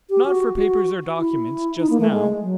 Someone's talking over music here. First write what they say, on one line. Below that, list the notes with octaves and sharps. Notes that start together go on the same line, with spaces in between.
Not for papers or documents--just now.
G4
F#4
F#4
E4
D#4
A#3
A3
G#3
F#3